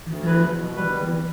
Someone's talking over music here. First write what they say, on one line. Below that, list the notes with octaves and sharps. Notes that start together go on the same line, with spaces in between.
Mhm. Mhm.
D2
E2 B4
E2
B2
G3 B4
E2